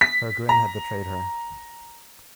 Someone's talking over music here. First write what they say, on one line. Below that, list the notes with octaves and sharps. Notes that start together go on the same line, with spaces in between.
Her grin had betrayed her.
B6
A#5